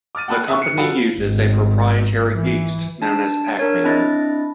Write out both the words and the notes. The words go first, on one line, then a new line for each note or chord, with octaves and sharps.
The company uses a proprietary yeast known as "Pacman".
D6 F6 A6 D#7
F#5 G5 A5 B5 F6 F#6
E5 C#6
C#7
F3 G3 F#4 A4 B4 F5
G#1
E3
D4 A5
D4 A#4 C#5
C4 D4 E4 D#5 A6